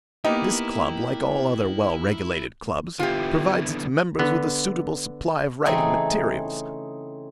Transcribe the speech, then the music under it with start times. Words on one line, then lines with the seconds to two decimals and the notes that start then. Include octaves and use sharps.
This club, like all other well-regulated clubs, provides its members with a suitable supply of writing materials.
0.24 A#3 B3 D#4 E4 G4 D#5
2.99 D3 B3 E4 F4 G4
4.19 D3 B3
5.65 C#3 E3 A3 C4 D#4 G#4